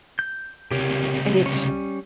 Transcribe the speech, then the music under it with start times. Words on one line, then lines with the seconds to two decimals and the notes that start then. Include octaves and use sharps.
and it's
0.19 G6
0.71 C#2 C3 G4 A#4 C#5
1.46 G3 C#4